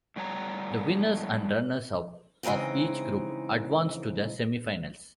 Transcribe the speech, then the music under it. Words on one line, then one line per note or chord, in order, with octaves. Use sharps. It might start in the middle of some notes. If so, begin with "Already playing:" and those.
The winners and runners-up of each group advance to the semifinals.
A2 G3 B3 C#5 A#5
C#3 E3 G#3 C4 D#4